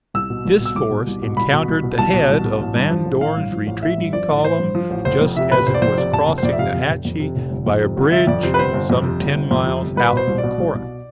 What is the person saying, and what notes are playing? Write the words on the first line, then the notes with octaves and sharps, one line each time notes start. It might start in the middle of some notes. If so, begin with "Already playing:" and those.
This force encountered the head of Van Dorn's retreating column just as it was crossing the Hatchie by a bridge some ten miles out from Corinth.
C2 E6
B2
C2
B2
E6
C2 D6
B2
C2
B2
C2 B5
B2
C2
B2
C2 A5
B2
C2
B2
A1
G2
F3
A1
A1 F5
G2
F3
A1
A1 E5
G2
F3 D5
A1
A1 C5
G2
F3
A1
F1 C5
F2
C3 E5
F1 B4
F1 C5
D5
F2 C5
C3 D5
F1 A5
F1
C5
F2 D5
E5
C3 F5
F1
F1
F2
C3
F1
G1
F2
C3
G1
G1 E5
F2 D5
C3 C5
B4
G1 C5
G1
F2
C3
G1
G1
F2
C3
G1
C2 B4
B2 C5
C2
D5
B2
C2
B2